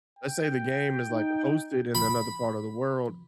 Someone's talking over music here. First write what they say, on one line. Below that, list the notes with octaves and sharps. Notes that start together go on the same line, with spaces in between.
Let's say the game is like hosted in another part of the world,
G5
D#4
B5